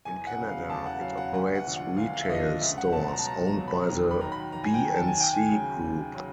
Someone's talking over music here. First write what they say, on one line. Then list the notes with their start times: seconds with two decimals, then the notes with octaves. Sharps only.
In Canada, it operates retail stores owned by the B and C Group.
0.05 E2 G#5
0.27 F#5
0.37 C#3 F#3
0.48 F5
0.69 E2 A5
0.86 F#5
1.01 C#3 F#3 F5
1.17 F#5
1.33 D2 F#5
1.55 F#5
1.65 D3 F3
1.76 F#5
1.97 D2 F5
2.13 F5
2.21 E5
2.29 D3 F3 D#5
2.61 C#2 E5
2.78 F#5
2.93 B2 F#3 A5
3.09 A#5
3.19 A5
3.25 C#2 A#5
3.47 A#5
3.57 B2 F#3
3.68 B5
3.89 D#2 A#5
4.11 B5
4.21 D#3 F#3 A#5
4.32 B5
4.52 D#2 A#5
4.64 G#5
4.74 G5
4.85 D#3 F#3
4.96 A5
5.07 G#5
5.17 D#2 G5
5.33 G#5
5.49 C#3 F#3
5.81 D#2
6.13 C#3 F#3